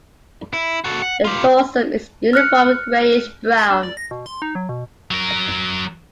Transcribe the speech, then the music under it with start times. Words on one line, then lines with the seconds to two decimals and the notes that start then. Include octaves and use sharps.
The dorsum is uniform grayish brown.
0.53 E4
0.84 F#4 A4
1.02 F#5
1.25 F4 G4
2.33 F6 F#6 C#7
3.58 C6
3.70 D4
3.83 D5
3.97 A#6
4.11 B2
4.26 C6
4.42 D#4
4.55 F#3
4.69 B2
5.11 F#3 A#4